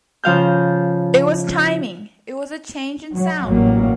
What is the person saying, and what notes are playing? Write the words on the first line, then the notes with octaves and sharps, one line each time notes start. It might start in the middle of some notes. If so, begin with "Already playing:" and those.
It was timing; it was a change in sound.
C#3 F3 F5 G6
F#3
A1 F#3 G3 A#3